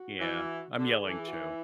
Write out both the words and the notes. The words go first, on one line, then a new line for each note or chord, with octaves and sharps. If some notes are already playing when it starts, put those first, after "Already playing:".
Yeah, I'm yelling too.
Already playing: F#4
E3
D3 A4
G#4
E3 A4
G#4
F#4
E4